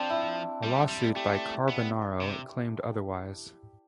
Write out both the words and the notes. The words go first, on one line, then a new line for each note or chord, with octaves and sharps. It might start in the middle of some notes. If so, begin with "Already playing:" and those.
A lawsuit by Carbonaro claimed otherwise.
Already playing: F3 C4 D4
E4
G3
G3
A3 G4
B3
C3